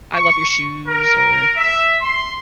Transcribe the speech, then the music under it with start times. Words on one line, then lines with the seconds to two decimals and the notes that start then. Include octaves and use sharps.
"I love your shoes" or,
0.13 C#6
0.86 A#4
1.56 E5
2.00 C6